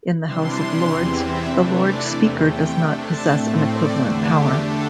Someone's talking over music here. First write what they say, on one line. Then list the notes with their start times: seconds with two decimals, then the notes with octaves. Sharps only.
In the House of Lords, the Lord Speaker does not possess an equivalent power.
0.23 C3 E3 G3 D4 C6
0.85 E2 C3 E3 C4 C6
1.15 E5
1.47 C3 E3 A3 D4 C5
1.77 D5
2.08 E2 C3 E3 A3
2.39 G5
2.69 C3 A3 D4 G5
3.00 A5
3.31 A2 A3 C4 G5
3.62 D5
3.92 E2 D3 A3 D4 C5
4.24 G4
4.54 D3 A3 D4 A4